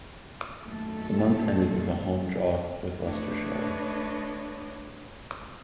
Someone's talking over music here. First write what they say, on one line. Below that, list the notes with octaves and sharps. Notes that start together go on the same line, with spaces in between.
The month ended with a home draw with Leicestershire.
F#2 A#2 D#3 A3 A#3 A4
A3 D4 B4 C#5 D#5